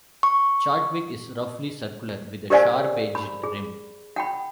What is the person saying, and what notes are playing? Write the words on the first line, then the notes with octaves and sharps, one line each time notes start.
Chadwick is roughly circular with a sharp-edged rim.
C#6
G4 A#4 C5 D5 F5 G#5
B5
G#4
F#5 G5 B5